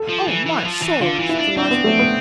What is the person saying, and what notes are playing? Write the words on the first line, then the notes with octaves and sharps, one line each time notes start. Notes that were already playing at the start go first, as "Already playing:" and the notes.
"O my soul!" said the large woman.
Already playing: A4
F3
E3
E3
F3
E3
D3 F4
E3
E4
D4
C4 D4
B3
A3
B3